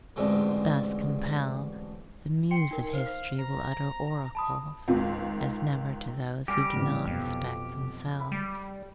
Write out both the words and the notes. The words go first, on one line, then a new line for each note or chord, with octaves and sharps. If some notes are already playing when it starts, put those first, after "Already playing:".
Thus compelled, the Muse of history will utter oracles, as never to those who do not respect themselves.
A1 F2 G#2 D3 G#3 A3
G5 C6 C#7
D#4 A#4
C5 F5
A#5
A5 B5 D#6
C#2 G#2 D#3
G3 G4 G#5 F6 A#6
A1 C3 E3
B1 F2 B2
B5
G3